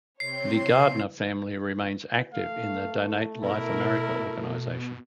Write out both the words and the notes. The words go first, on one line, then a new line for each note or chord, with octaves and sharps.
The Gardner family remains active in the Donate Life America organization.
C3 C4 C#5 C6 C7
A3 F5
B2 E4 A#4